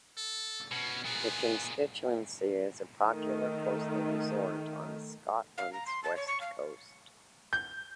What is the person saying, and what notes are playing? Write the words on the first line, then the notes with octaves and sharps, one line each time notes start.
The constituency is a popular coastal resort on Scotland's west coast.
A4
B2 C#4
A#2 B3 G#4
D#3 A3
F5
A#5
C6
A5
C#5
C#6
F5
G6